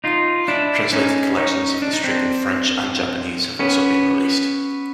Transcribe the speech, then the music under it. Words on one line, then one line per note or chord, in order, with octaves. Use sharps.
Translated collections of the strip in French and Japanese have also been released.
D#4 F4
D4 E4
C#4 D#4
C#4 D#4
D4
D#4
C4 D4
B3 C#4